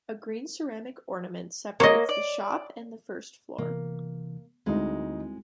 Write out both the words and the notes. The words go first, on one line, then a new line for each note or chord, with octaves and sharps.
A green ceramic ornament separates the shop and the first floor.
A#3 C#5 D#5
D5
C3 E3 A#3
D2 G3 G#3 C4 D#4 E4